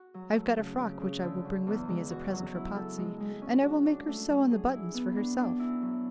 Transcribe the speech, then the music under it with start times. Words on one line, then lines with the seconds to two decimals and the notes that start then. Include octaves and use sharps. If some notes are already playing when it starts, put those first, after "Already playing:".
I have got a frock which I will bring with me as a present for Potsey; and I will make her sew on the buttons for herself.
Already playing: F#4
0.14 F#3
0.35 A3
0.57 C#3
0.79 C#3
1.01 C#3
1.23 D3
1.45 F#3
1.67 E2
1.88 G#3
2.10 F#4
2.33 F#3
2.55 E4
2.76 A4
2.98 G#3
3.20 G#3
3.42 C#4
3.63 F#4
3.85 D4
4.08 A3
4.30 F#3
4.51 G#4
4.73 E4
4.94 B3
5.16 D4
5.38 D4
5.60 E4
5.82 F#3